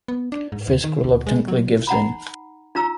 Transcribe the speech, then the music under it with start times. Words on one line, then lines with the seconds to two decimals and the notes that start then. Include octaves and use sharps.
Fiske reluctantly gives in.
0.08 B3
0.32 D4
0.52 G#2
0.68 D#2
0.84 D#3
1.04 D2
1.27 G#3
1.48 F#3
1.87 D#4 F#5 A#5 B5
2.75 D#4 F4 A#5 E6